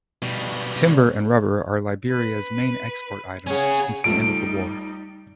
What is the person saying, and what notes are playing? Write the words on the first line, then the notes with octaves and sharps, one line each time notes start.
Timber and rubber are Liberia's main export items since the end of the war.
B2 G3
B4
C#4 G#4 C#5 F#5
C#2 F3 G3 A3 D#4 D7